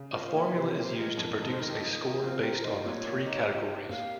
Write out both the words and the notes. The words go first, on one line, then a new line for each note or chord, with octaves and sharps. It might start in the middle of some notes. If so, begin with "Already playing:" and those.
A formula is used to produce a score based on the three categories.
Already playing: C#3
F4 A#4
C5
A#3 C#5
C#5
C3 C5
C#5
A#3
C5
G#3 A#4
F2
D#3 A#4
C5
D#3 A#4
G4
F3 D#4
A#4
C4 F4
G4
A#4
D#4 C5
A#2 C#5
A#2
D#4
G4
G4
A#3 F5